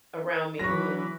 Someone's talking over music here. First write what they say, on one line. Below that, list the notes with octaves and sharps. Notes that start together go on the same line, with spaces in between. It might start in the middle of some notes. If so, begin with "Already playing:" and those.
around me who
E3 F#3 B4 C#6 A#6